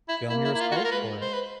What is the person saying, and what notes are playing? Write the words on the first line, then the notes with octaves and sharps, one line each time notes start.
film yourself or
E4
A#3 E4
E4
E4
F4
F#4
F4
A#4
G#3 B4
C5
B4